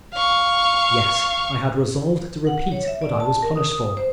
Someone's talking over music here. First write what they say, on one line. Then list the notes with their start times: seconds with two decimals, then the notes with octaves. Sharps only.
Yes, I had resolved to repeat what I was punished for.
0.14 F5 C#6
2.47 F#5
2.72 C#5
2.88 E5
3.02 D5
3.20 A5
3.43 A#4
3.56 D#6
3.97 C5